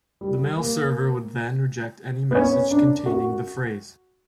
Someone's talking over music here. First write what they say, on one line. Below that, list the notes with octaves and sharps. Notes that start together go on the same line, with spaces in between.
The mail server would then reject any message containing the phrase.
G3
A#3
B3
C#4
D4
F#4